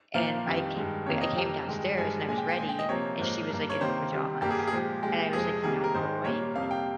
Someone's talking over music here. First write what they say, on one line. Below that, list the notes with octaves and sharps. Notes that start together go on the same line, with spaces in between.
And I ca I came downstairs, and I was ready, and she was, like, in her pajamas, and I was, like, "You're not going?"
A#2 F3 A#3 F5
F2 D#3 G3
G2 D#3 G#3
F2 C3 D#3 A#3 C#5
D#5
F2 C3 G3 A#3 G5
G2 D#3 G#3
G2 F3 G#3 G#5
A#2 G#3 G#5
G5
G5
A#2 G#3 G#5
G5
D#5
C3 F3 A#3 C#5
G#2 F3 A#3
G2 G3 A#3
C#5
C3 D#3 A#3 C5
C3 D#3 G3
G2 G3 A#3 G4
G#4
G4
G#4
A#2 F3 G#3 G4
A#2 G#3 G4
F2 C3 F3 G#3 G#4
C3 D#3 G3 A#3 G#4
A#4
G#2 D#3 G#3 C5
A#2 G3 A#3 C#5
F2 C3 G3 A#3 F5
G5